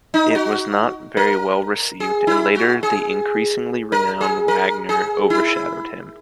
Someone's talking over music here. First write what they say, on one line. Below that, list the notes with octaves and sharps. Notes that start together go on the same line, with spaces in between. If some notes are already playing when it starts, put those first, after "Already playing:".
It was not very well received, and later the increasingly renowned Wagner overshadowed him.
D#4
F#4
A#4
G#4
E4
F#4
G#4
A#4
G#4
A#4
G#4
E4